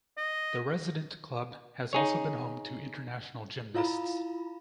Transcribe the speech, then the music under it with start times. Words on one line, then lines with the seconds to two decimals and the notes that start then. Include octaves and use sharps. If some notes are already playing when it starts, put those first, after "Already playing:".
The resident club has also been home to international gymnasts.
0.17 D#5
1.93 D#4 G#4 C#5
3.75 E4 F4 F5 A#5 B5